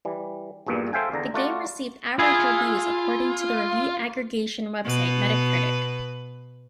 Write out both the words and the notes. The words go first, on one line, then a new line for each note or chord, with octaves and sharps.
The game received "average" reviews according to the review aggregation website Metacritic.
E3 G3
A#1 E2 G2 A#2
A4 C5 E5 F5 G5 G#5
E2 D3 A#5
A3 F4 F#4 D5
E4 F4 G#4
B2 B4